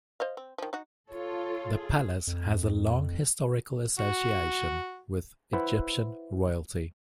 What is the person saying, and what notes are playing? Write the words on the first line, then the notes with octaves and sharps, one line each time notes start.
The palace has a long historical association with Egyptian royalty.
C5 D#5 F5
C4
D#3 F3
D#4 F#4
F4 A4 C#5
G#4
F2
F#4
E4 B4 C5 F#5